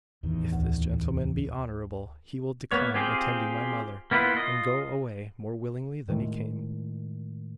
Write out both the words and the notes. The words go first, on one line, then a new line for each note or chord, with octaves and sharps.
If this gentleman be honourable, he will decline attending my mother, and go away more willingly than he came.
A1 E2 D#3
D2
A#3 B3 C#5
C4 F4 G4 G#4
A#3 B3 E4 F4 B4
F4 D#5
A2 D#3 G#3 A3